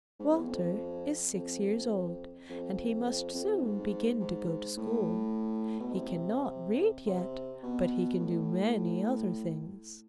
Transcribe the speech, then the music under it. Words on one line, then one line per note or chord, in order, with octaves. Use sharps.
Walter is six years old, and he must soon begin to go to school. He cannot read yet, but he can do many other things.
G#2
F2
E2
F2
F2
F2
F2
F2
G#2
G#2
A2
B2
C3
C3
B2
A2